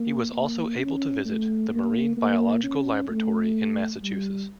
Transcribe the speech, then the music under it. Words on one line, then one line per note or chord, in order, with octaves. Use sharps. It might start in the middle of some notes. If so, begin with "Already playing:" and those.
He was also able to visit the Marine Biological Laboratory in Massachusetts.
Already playing: A#3
A#3
C#4
A3
A#3
A#3
C#4
A3
G3